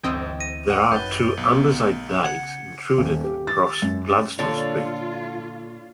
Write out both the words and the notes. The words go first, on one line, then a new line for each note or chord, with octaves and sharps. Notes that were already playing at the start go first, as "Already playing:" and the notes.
There are two andesite dykes intruded across Gladstone Street.
G1 D2 E3 C4 D#5 G5 E6
A#6 D#7
F#5
G#1 F#2 B4 G6 A6 G7
B1 B3
C#3 F#5 G#6 C#7
D#1
G4
A6
F#2
A#2 D3 D4 F4 A4 C#5 D5